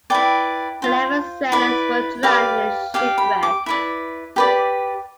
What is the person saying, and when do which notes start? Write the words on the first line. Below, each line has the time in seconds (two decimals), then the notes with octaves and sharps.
Eleven sailors were drowned in the shipwreck.
0.10 E4 B4 D5 G5
0.82 F4 C5
1.52 E4 B4 D5
2.23 G4 B4 D5 F5
2.94 G4 D5 F5
3.18 B5
3.43 D6
3.66 E4 B4 D5
4.36 G4 B4 D5